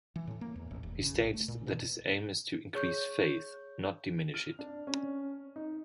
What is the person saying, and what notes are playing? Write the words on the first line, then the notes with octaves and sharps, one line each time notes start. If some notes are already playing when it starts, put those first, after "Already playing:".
He states that his aim is to increase faith, not diminish it.
E3
A2
A#3
E2
A1
E1
C#3
A#1
A3
A#2
B2
G#4 C#5 C#6 G6
F6
D4
C#4
D#4